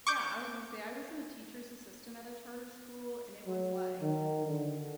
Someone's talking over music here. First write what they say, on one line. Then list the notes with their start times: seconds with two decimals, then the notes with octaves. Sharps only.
Yeah, I was gonna say I was a teacher's assistant at a charter school and it was like
0.07 C#6 D6 G6
3.46 F#3
4.01 D#3
4.47 D3